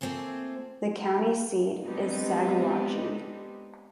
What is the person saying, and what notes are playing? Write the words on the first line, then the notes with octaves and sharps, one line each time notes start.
The county seat is Saguache.
A3 A#3 C4 F4 G#4 A4
G#3 B3 C4 D4 D#4 G4